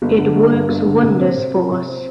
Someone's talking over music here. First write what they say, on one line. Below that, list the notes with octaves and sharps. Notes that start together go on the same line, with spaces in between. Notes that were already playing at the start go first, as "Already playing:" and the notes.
It works wonders for us.
G1
D3
G1
G2
G1
D3
C3
C4
C3
F3
C3
C4